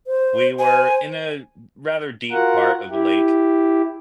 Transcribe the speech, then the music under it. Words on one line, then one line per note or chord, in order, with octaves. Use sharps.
we were in a r rather deep part of the lake,
C5
C5 G#5
F4 F#4 A#4 F#5
E4 G4